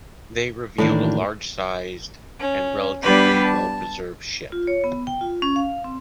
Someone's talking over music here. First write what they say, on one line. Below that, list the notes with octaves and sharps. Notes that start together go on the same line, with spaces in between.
They revealed a large-sized and relatively well-preserved ship.
A2 D#3 E3 A#3 D4
C#4
G3 B3 D4 G4 B4 B5
A5
F4
C#5
B3
G5
F4
C#4
F5
C4